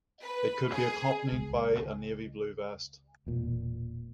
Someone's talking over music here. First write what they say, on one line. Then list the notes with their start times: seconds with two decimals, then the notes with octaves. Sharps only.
It could be accompanied by a navy blue vest.
0.22 B4
0.72 G#4
1.32 C#2
3.27 E1 A#2